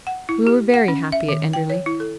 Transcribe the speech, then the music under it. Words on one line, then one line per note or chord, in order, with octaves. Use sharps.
We were very happy at Enderley.
F#5
E4
G4
F#5
C#4
E5
D#3
G5
C#5
E4
A4